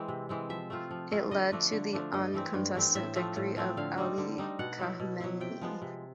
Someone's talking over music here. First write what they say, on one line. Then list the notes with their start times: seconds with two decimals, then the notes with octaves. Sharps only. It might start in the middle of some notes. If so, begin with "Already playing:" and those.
It led to the uncontested victory of Ali Khamenei.
Already playing: E3 G#3 C4
0.09 C3
0.29 E3 G#3 C4
0.49 F3 E5
0.70 A3 C4 F4
0.91 F3
1.11 A3 C4 F4
1.31 D3 D#5
1.52 F3 A3 D4
1.72 D3
1.93 F3 A3 D4
2.13 G2 D#5
2.34 E3 A3 C4
2.54 G2
2.75 E3 A3 C4
2.95 A2 E5
3.16 F3 A3 C4
3.36 A2
3.56 F3 A3 C4
3.77 D3 F5
3.98 G3 C4 D#4
4.18 D3
4.38 G3 C4 D#4
4.59 B2 F#5
4.79 F#3 B3 E4
5.00 B2
5.20 F#3 B3 E4
5.41 C3 G5
5.62 F3 G#3 B3
5.82 C3